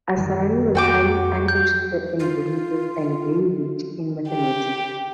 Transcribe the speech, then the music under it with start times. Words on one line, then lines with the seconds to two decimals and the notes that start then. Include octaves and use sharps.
Asrani was highly uninterested in business and very weak in mathematics.
0.17 F#2 D#3 G3
0.75 F2 F#4 G5 D6
1.48 G6
2.19 F4
4.30 G4